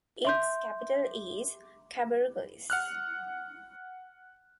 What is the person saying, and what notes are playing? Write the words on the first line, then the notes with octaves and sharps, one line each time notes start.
Its capital is Cabarroguis.
E5 C6 G6
F#5 F6 F#6